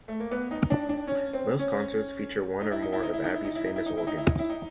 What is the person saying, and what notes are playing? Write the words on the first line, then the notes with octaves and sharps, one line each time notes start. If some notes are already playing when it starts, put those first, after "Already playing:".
Most concerts feature one or more of the Abbey's famous organs.
A3
A#3
B3
D#4
D4
D4
C#4
C4
C#4
D#4
E4
D#4
E4
D#4
E4
D#4
E4
D#4
E4
D#4
E4
D#4
E4
D#4
E4
D#4
E4
D#4